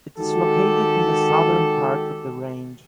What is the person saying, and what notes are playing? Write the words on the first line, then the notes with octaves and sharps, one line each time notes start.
It is located in the southern part of the range.
D#3 G#3 F#4 G4 A4